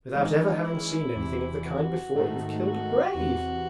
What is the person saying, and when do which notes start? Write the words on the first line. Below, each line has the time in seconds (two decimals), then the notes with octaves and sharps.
Without ever having seen anything of the kind before, you've killed a brave!'
0.15 E3 G#3 C#4 D#4
0.65 E4
1.15 E2 C3 E3
1.64 F#4
2.15 G#2 D#3 A3 D#4
2.64 F#4
3.14 E2 C3 E3 F#4